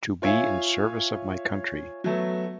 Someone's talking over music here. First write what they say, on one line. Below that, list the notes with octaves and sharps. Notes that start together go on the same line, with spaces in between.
To be in service of my country.
F4 C#5 E5 F5 G#5
F#3 A3 B3